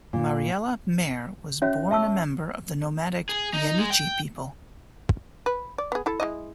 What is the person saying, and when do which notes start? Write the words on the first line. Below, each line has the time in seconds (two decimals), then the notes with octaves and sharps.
Mariella Mehr was born a member of the nomadic Yeniche people.
0.13 A#2
1.62 C#4 F#4 C#5 E5
1.91 E5 A5 C#6 E6
3.29 G#4
3.54 D#4
3.79 G#3
3.90 G5
5.46 B4
5.78 D5
5.92 B3 G#4
6.06 E4 A4
6.20 G#3 E4 D#5